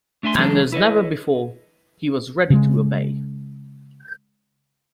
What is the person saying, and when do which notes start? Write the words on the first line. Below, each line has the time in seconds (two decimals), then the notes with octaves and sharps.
And as never before, he was ready to obey.
0.23 A3 D4 E5 G#5 C6
0.38 E3 F#3 G#3 D4 A4
0.72 E4 B4 C#5 D#5
2.50 C#3 G#3